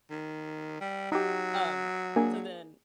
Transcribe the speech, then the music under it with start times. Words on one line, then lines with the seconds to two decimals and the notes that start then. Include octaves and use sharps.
Um, so, then,
0.10 D#3
0.81 G3
1.12 F#3 D#4 G4
2.16 A#3 D4 G#4